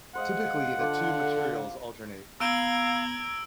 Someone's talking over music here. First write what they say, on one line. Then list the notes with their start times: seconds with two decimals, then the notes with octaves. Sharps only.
Typically the two materials alternate.
0.15 G#3 C5 D#5 F5 F#5
0.79 D3 D4 F4 A4 D5
2.40 B3 F5 A#5 E6 G#6 D7 G7